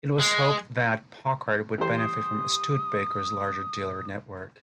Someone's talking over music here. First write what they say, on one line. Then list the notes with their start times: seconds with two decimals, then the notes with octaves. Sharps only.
It was hoped that Packard would benefit from Studebaker's larger dealer network.
0.20 G#3
1.78 E3 G4 C5
1.98 D#6